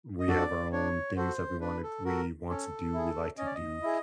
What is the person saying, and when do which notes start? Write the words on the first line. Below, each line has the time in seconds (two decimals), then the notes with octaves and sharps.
we have our own things that we wanna we want to do, we like to do.
0.20 D#5
0.28 D4 F#4 A4 D5
0.72 D4 C#5
1.17 F#4 A4 C5
1.61 D4 B4
1.83 A4
2.05 F#4 A4 A#4
2.49 C#4 A4
2.93 E4 G#4
3.38 C#4 D#5
3.46 D5
3.55 D#5
3.82 E4 G#4